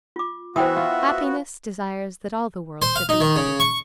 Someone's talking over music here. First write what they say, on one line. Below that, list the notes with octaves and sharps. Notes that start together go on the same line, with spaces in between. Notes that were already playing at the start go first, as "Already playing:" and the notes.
Happiness desires that all the world should be happy.
F4 D6
E3 B3 F#4 C5 E5 G5 D#6
F4
C5
F5
D#4
D#3
C#3
C#6